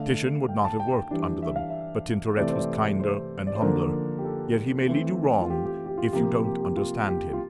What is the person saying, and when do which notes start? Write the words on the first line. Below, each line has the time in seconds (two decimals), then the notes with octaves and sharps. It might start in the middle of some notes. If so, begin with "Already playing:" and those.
Titian would not have worked under them, but Tintoret was kinder and humbler; yet he may lead you wrong if you don't understand him.
Already playing: D3 A3 D4 F5
0.49 G5
0.65 A5
0.80 G5
1.11 E3 G3 D4
1.42 E5
1.56 F5
1.70 E5
2.37 C3 E3 A3 C4 D5
2.48 C5
2.59 D5
3.00 C5
3.47 D5
3.55 C5
3.62 D3 F3 A#3 D4 A#4
4.19 G4
4.25 A4
4.88 E3 A3 C4
5.41 F4
5.50 G4
5.66 G4
5.86 G4
5.98 F4
6.13 C3 F3 A#3 G4
6.44 G4
6.61 G4
6.76 F4
7.08 G4
7.33 F4